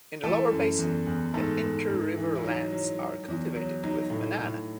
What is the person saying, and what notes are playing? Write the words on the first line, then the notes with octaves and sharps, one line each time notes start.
In the lower basin, the inter-river lands are cultivated with banana.
E3 A3 A4
F#2
E2
E2
G#2 A3 A4
G#2
G#2
E3
E4
F#3 D#4
F#3
F#3
E2
F#3
F#3 D#4
A2
A2